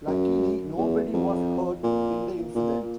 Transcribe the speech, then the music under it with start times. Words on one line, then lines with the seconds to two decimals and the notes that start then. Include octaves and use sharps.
Luckily nobody was hurt in the incident.
0.07 F#2
0.77 E2
1.13 F2
1.83 A#2
2.55 A#2